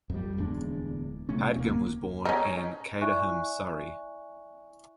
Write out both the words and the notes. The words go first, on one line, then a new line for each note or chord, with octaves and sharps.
Padgham was born in Caterham, Surrey.
F2 G3
D1 E2 G#3 D4
C3 A3 C#4
D1 D#2 A#3
C#4 D#4
E4 D5 E5 G#5 C#6 F#6